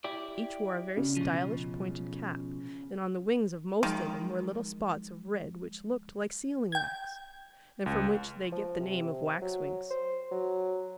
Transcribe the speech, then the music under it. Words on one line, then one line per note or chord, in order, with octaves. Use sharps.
Each wore a very stylish pointed cap, and on the wings of most of them were little spots of red which looked like sealing-wax, and from which they get the name of Waxwings.
E4 G4 D5
C#3
B2 F3
D#3 F3 F#3 G#3
G5 G#6
C#2
F3
C3
F#3
C5
F#3